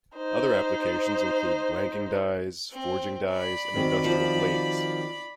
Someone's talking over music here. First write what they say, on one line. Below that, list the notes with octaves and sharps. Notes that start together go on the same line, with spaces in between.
Other applications include blanking dies, forging dies, and industrial blades.
D#4 C5
C4
D5 B5
D#3 C4 F#4
F3